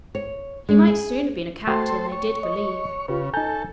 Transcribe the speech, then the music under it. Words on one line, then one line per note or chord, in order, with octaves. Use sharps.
He might soon have been a captain, they did believe!
C#5
G#3
G#4
A3 F#4 A4 C5 G5
C#5
D#5
C#3 F4 G4 B4
D#4 A4 G#5 A#5 G6